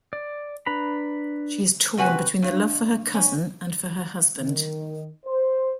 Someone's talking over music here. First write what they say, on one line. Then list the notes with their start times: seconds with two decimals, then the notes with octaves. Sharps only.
She is torn between the love for her cousin and for her husband.
0.13 D5
0.66 D4 B4 A#5 B5
1.98 C3 G3 F#4 B4 F#5 G#5
2.42 G2
3.14 C#4
4.40 D#3
5.26 C5